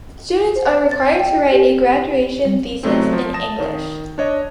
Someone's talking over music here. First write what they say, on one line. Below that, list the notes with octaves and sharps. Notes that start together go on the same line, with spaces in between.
Students are required to write a graduation thesis in English.
C5
A6
G5
G4
G3
C3 F#3 A3 B3 C4
F3
A5 D#6 A#6 E7
D#3
D4 C#5 D#5